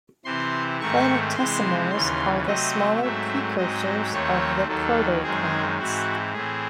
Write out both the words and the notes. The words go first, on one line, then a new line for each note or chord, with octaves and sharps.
Planetesimals are the smaller precursors of the protoplanets.
C3 E3 C4 C6
G#2 D#3 A3 C4 C#6
C3 E3 G#3 C4 C6
D#2 C#3 E3 C6
C3 F#3 A3 C4 D#5
G#2 F#3 A3 C4 E5
G#2 F#3 C4 D#5
D#2 D#3 A3 C4 C#5
D#2 D#3 F#3 A4
F#2 D#3 G#3 C4 G#4
G#2 E3 C4 F#4
A2 E3 C4 G#4